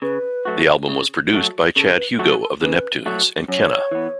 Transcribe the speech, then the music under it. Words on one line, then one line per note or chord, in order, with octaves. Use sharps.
The album was produced by Chad Hugo of The Neptunes and Kenna.
C#3 B4
F#3 A3 F#4
C#3
F#3 A3 F#4
C#3 A4
B4
F#3 A3 F#4 A4
A4
C#3 B4
F#3 A3 F#4
F#2 C#5
E3 B3